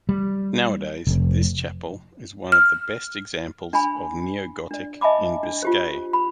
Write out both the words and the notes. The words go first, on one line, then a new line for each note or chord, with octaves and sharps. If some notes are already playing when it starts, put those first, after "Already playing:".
Nowadays this chapel, is one of the best examples of neogotic in Biscay.
G3
F1
F6
D4 G#5 B5
D4 D5
D#5 E5 G#5 A5 B5 D6
D4
F4 G4 C5
B5